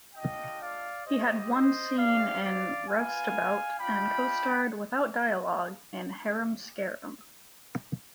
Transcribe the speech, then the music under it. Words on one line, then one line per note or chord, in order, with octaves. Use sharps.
He had one scene in "Roustabout" and co-starred without dialogue in "Harum Scarum".
G#3 D4 F4 D#5 G5
D5 F5
C4 G4 C5 D#5
C5 D#5
C4 G4 D5 F5
D5 F5
B3 F4 F5 G#5
G#3 D4 F4 G5 B5